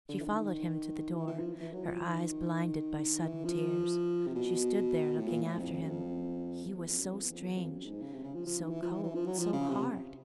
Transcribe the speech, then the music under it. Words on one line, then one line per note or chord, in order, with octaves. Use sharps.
She followed him to the door, her eyes blinded by sudden tears; she stood there looking after him. He was so strange, so cold, so hard.
D3
E3
D#3
F3
E3
E3
F3
E3
F#3
F3
F3
D#3
D#3
E3
F3
C3
B2
A2
A#2
A2
F2
F2
F#2
F2
E2
E2
F2
F#2
F2
E2
F2
E2
F2
F#2
G#2
C#3
C3
C#3
F3
F3
D#3
E3
F3
E3
E3
F3
F#3
F3
C#3
C3